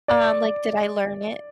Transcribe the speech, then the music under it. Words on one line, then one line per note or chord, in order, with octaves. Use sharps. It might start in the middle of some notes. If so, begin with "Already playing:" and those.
Um, like, did I learn it?
D5